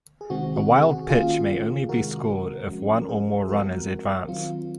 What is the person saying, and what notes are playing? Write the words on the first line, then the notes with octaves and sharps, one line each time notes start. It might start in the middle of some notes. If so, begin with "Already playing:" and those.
A wild pitch may only be scored if one or more runners advance.
G#4
C3 D#3 G#3 C4 F#4
F#4
G#4
F#4
D#3 A#3 C#4 F4 G#4
C3 D#3 G#3 F#4 A#4
F3 G#3 C#4
A#4
G#4 C5
F3 G#3 C4 F#4 A#4
D#3 F#3 C4 F4